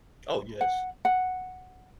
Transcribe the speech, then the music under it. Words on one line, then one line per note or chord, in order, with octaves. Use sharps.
Oh, yes.
F#5
F#5